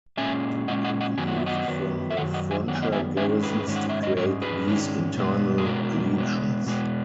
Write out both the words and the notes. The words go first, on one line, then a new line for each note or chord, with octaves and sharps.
Men had to be removed from the frontier garrisons to create these internal legions.
A#2 G#3 C#4 E5 G#5
A#2 G#3 C#4 D#5 F#5
D#5 F#5
D#5 F#5
F#2 D#3 F#3 B3 G#5
F#5
E5
D#5 F#5
F#2 D#3 F#3 B3
E5
F#2 D#3 F#3 F#5
D#5 F#5
E5 G#5
F#2 D#3 F#3 B3 F#5
G#5
D#5 F#5
E5 G#5
G#2 D#3 G#3 C#4 E5 G#5
G#4 B4
G#2 D#3 G#3 C#4
F#5
E5
D#5
G#2 D#3 G#3 C#4 A#4 C#5
G#4 B4
G#2 D#3 G#3 C#4
B2 G#3 B3
G#4
B2 G#3 B3 F#4 A#4
B2 G#3 B3
B2 G#3 B3